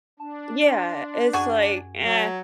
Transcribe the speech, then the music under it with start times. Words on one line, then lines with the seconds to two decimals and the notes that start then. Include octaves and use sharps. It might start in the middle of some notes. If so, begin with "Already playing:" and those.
Yeah, it's like, "Eh,
0.20 D4 A5
0.71 C6
1.33 F#2 F#4 G#4 G#5
1.98 F#3